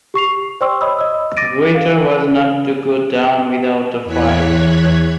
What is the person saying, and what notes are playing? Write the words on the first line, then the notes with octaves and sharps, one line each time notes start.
Reuter was not to go down without a fight.
G4 C#6 C7 F7
C5 D5 G5 C6 C#6 E6
C#5 D#5 B5 D#6 E6
D#5 E6
D6 A6 A#6 D7 D#7
F5
E2 E3 C#5 F#6 G#6 B6